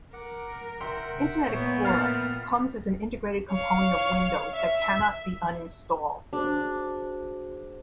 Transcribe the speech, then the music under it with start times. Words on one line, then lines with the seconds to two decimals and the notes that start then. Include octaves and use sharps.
Internet Explorer comes as an integrated component of Windows that cannot be uninstalled.
0.13 A#4 F#5 D6
0.81 E5 F#5 G5 C6
1.48 A#2 B3 C#5
1.85 F6 A6 C7
3.50 C#5 F5
4.54 E5
6.33 D4 F#4 G#4 C5